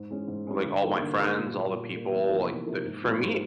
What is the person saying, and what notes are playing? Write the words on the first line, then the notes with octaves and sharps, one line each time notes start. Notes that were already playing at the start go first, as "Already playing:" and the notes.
like all my friends, all the people, like th for me
Already playing: G#2
E3 G#3 C#4
G#2
E3 G#3 C#4
D3
G3 A#3 D#4
D3
G3 A#3 D#4
A#2
G3 A#3
A#2
G3 A#3
E2
C3 F3 A#3 D#4
E2
C3 F3 A#3 D#4
G#2
F3 G#3 B3 E4
G#2